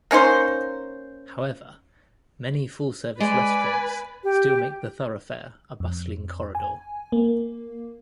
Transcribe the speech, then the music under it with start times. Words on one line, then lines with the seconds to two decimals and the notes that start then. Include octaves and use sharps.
However, many full-service restaurants still make the thoroughfare a bustling corridor.
0.11 A#3 C#4 D#4 C5
3.21 G#3 B4 D5 G#5
4.24 G4
5.80 F2
6.55 G#5
7.12 A#3